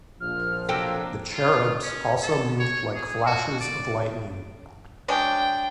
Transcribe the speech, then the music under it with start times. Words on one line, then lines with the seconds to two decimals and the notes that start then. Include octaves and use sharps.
The cherubs also moved like flashes of lightning.
0.21 A#1 F3 F6
0.69 C3 F#3 A#3 D4 A4 G5 E6
1.34 F4
1.83 C#4
2.22 A4
2.59 C#5
2.95 G#4
3.26 F#4
3.60 D5
5.08 F#3 G#3 D4 G5